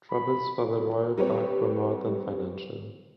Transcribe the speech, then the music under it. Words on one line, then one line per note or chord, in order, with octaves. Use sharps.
Troubles for the Royal Park were more than financial.
B5
G3 C4 G4 B4 C#5